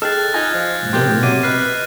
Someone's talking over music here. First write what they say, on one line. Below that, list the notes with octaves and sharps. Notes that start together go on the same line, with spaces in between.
Yeah. Yeah.
G#4 A4 D#5 G5 F6 F#6 A6
D#4 F4 G#5 F#6 G#6 A#6
F3
F2 G4 A#4 C6
C3 F#3 D6 D#7
B4 D#5 F6 C7